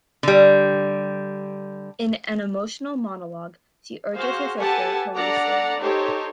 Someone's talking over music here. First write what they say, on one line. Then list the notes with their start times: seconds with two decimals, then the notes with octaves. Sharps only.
In an emotional monologue, she urges her sister to leave Stanley.
0.23 D3 G3
4.15 F#4 G#4 C5 F5
4.59 G4 A4 B4 F#5 G#5 A5
5.16 D4 A4 D5 F#5 A#5
5.81 D#4 G4 A4 C5 C#5